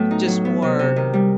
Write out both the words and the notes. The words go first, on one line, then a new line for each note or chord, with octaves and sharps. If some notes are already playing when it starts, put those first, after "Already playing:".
just more
Already playing: A2 F#3 B3
D#4
F#3
B3
C3
C3
D#3
G3